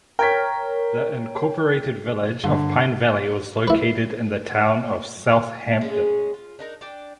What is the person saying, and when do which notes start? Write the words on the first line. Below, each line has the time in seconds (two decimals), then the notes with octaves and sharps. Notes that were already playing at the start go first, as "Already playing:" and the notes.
The Incorporated Village of Pine Valley was located in the Town of Southampton.
0.19 A#4 C#5 G5 G#6 B6
2.44 G2 D3
3.68 E4 B4
5.81 G#3 C#4 G#4
6.34 F4
6.59 D4 D#4 A#4
6.81 D4 D5 G5